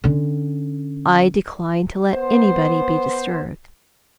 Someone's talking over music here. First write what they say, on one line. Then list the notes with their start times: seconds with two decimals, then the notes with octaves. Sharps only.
I decline to let anybody be disturbed.
0.04 D3 C#4
2.12 B3 C5